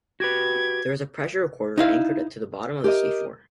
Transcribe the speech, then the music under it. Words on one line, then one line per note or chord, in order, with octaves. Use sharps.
There is a pressure recorder anchored to the bottom of the sea floor.
F#4 G4 B4 G#6
D#4 E4 F5
G4 A#4 C5 D#5